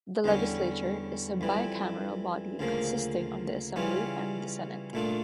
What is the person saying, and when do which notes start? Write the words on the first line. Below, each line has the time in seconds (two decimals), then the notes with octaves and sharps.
The Legislature is a bicameral body consisting of the Assembly and the Senate.
0.24 E2 D3 G3 C#4
1.41 F2 E3 G3
2.59 D2 C#3 F3 A#3
3.76 C#3 E3 G3 C#4 F4
4.93 A#2 A3 D4 F4